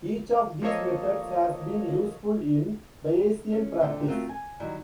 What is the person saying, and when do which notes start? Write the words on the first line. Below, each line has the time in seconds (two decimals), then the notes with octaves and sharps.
Each of these methods has been useful in Bayesian practice.
0.62 F3 A#3 A4 C#5 D#5
3.52 C#4
3.80 E2 A#2 D3 A3 C4 G5
4.06 A3 C4 F4 F#4 A#4
4.29 G#5
4.60 D#3 F#3 G3 E4